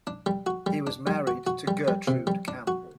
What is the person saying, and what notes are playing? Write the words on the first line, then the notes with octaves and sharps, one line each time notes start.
He was married to Gertrude Campbell.
D4
G3
F#4
G3
D4
G3
F#4
F#4
G3
G3
C3
G3
D4
F#4